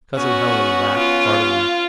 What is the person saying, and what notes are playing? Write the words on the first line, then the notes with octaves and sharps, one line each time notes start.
Cousin Helen laughed heartily.
B3 C#4 F#4
F4